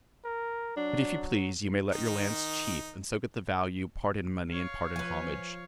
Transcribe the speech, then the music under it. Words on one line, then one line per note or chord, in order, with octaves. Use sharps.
But if you please you may let your lands cheap, and so get the value, part in money and part in homage.
A#4
F#3 D4
D#3 D#4
C#5 F5
F3 B4 G#5